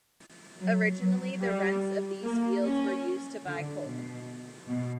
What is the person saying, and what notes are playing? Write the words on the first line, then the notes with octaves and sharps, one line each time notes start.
Originally the rents of these fields were used to buy coal.
F#3
F#3
G3
A#3
C#4
D3
B2
B2